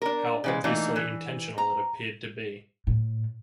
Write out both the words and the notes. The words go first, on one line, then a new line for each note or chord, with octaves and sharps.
How obviously intentional it appeared to be.
D4 A#4
C#3 E3 G#3
E3 A3 A#3 D4 D#4 F4
E3
A#5
A2